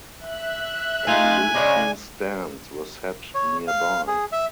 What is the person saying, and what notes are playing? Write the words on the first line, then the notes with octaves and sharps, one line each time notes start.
Ablution stands were set nearby.
E5 F#6
A3 D#4 F4 G#4 G#5
C#3 G#3 D4 C#5
C#5
F5
G#4
E5